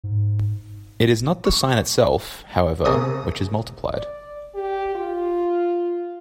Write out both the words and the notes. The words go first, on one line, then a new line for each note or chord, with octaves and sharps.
It is not the sign itself, however, which has multiplied.
G#2
C#6
C3 G#4 A#4 A#5 C#6 D#6
D5
G4
F4